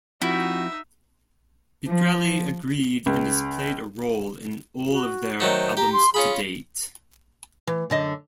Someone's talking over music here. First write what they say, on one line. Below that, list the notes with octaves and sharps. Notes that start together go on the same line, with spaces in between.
Pitrelli agreed and has played a role in all of their albums to date.
F3 C4 D#4 E4 F#4 E5
F3
C#2
F#4
D#3 F#3 A3 C5
G4 A#5
C6
C#4 F4 G#4 B5
E3
F#2 D3 D#5